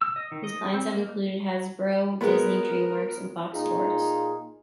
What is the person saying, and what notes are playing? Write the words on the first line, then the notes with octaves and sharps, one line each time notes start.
His clients have included Hasbro, Disney, DreamWorks and Fox Sports.
E6
D#5
D#3
D#5
C4
A#3
G#3 B3 A#4
A#2 D#4 F4 G#4